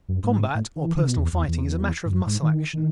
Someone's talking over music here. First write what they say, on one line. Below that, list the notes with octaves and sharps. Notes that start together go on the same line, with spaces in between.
Combat or personal fighting is a matter of muscle-action.
F#2
G#2
A2
D#3
E3
D#3
C#3
B2
E2
E2
E2
G#2
F#2
G#2
D#3
D#3